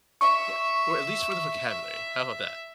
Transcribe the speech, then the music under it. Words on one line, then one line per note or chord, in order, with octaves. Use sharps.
Yeah, or at least for the vocabulary how about that?
E5 C#6